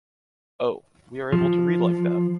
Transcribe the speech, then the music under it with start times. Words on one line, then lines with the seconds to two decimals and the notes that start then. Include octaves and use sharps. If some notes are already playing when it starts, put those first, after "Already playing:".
Oh! We are able to read like that!
1.32 F3